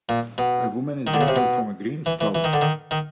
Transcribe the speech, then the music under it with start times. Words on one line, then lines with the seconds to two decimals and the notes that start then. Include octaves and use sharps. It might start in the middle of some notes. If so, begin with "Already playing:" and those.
A woman is drinking from a green straw.
0.09 A#2
0.38 B2
1.07 D#3
1.14 D3
1.21 C#3
1.28 C3
1.36 B2
2.06 E3
2.21 E3
2.35 E3
2.44 D#3
2.53 D3
2.61 D#3
2.91 D#3